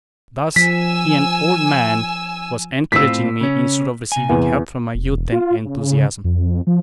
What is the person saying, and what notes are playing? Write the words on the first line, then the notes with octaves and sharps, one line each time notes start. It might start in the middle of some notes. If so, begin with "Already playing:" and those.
Thus he, an old man, was encouraging me instead of receiving help from my youth and enthusiasm.
F3 G#5 E6 B6
A2 C4 F4 E6 B6
C#3 C#4
C3 G#5
E2
E1
F4
C#3
F2
F3